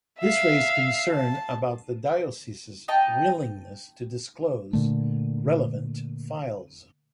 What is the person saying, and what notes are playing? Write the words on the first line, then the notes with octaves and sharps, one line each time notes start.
This raised concern about the diocese's willingness to disclose relevant files.
E5 F5
A5
D#4 D#5 G5 A5
A#2 D3 A3